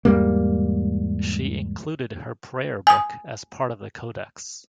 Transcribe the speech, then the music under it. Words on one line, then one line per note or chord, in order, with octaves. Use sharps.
She included her prayer book as part of the codex.
E2 G#2 G3 A#3
G#5 D#6